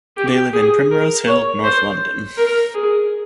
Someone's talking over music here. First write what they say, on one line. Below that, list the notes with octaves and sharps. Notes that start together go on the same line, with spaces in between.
They live in Primrose Hill, North London.
G4
G#4
A#4
C#5
C5
A#4
G#4